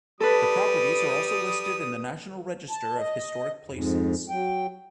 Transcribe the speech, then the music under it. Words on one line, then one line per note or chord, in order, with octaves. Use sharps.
The properties are also listed in the National Register of Historic Places.
G3 A4 B4 D#6
A5
D#5
F2 G#2
F#3 G5